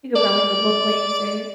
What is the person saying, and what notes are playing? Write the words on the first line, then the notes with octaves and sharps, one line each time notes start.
You could probably go both ways, right?
D5